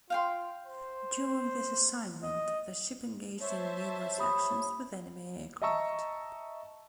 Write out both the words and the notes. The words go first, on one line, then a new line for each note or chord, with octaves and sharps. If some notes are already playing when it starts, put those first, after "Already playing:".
During this assignment, the ship engaged in numerous actions with enemy aircraft.
F4 F5 G5 C6
C5
D#5
C5 C#5 E5 A5
G4 B5 D#6
D#5 E5 A5 A#5 C#6 E6